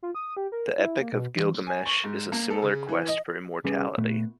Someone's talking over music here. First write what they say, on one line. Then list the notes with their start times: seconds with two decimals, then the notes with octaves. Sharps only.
The "Epic of Gilgamesh" is a similar quest for immortality.
0.02 F4
0.15 D#6
0.37 G4
0.52 A#4
0.78 E4
1.01 A#3
1.13 B2
1.36 E3
1.67 G#5
1.86 C#6
2.04 G#2
2.32 A#3
2.50 A4
2.62 C#3
2.89 E3
3.08 D#5
3.64 C2 G3 C#4 G#4 B4
3.98 A#2 A3 B3